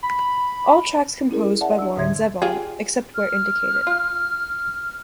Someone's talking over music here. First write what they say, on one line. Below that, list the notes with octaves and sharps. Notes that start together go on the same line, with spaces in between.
All tracks composed by Warren Zevon, except where indicated.
B5
C#4 E4 G#4 A#4
D5 E5 F#5 A5
D4 E6
D2 A2 D3 E5 C6 G#6
F4 G4 G#4
F6
F4